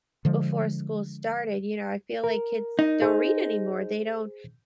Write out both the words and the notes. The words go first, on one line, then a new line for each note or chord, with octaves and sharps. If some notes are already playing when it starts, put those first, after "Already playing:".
before school started, you know, I feel like kids don't read anymore, they don't
D3 F3 G#3
A#4
D#4
G#4 C5